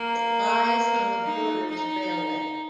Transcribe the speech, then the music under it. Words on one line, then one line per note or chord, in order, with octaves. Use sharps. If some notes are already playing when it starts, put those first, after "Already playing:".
It lies on the Borders Railway.
Already playing: A#3
D#4
D#4